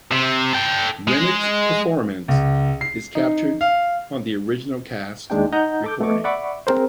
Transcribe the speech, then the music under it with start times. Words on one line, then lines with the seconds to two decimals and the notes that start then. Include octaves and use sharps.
Remick's performance is captured on the original cast recording.
0.11 C3
0.53 A4 G5
1.08 G#3
2.28 C#2
2.81 C7
3.15 D#4
3.61 F5
5.30 D#2 G#3 D4 D#4 G5
5.53 D#4 D#5 F#5 A#5 G6
5.84 A4 D6 G6
6.01 A3 B3 D#5 C#6 D6
6.24 D5 E5 F#5 B5 C#6 D6
6.67 C4 G#4 A#4 C5